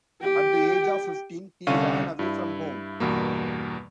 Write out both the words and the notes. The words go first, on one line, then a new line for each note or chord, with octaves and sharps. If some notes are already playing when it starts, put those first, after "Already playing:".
At the age of fifteen he ran away from home.
G4 G5
C2 D3 C#4 F5 C#6 D#7
G2 E4
E2 G2 B2 A#3